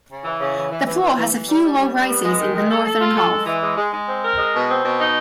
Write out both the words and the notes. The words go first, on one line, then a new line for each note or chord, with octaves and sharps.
The floor has a few low rises in the northern half.
C#3
E3
C#3
E3
E3
E3
E3
E3
E3
G3
G3
G3
G3
B3
G#3
D#3
G#3
A4
A4
F4
A4
G#3
E3
G#3
G#3
G#3
C4
A#4
G#3
B2
C4
B2
D#4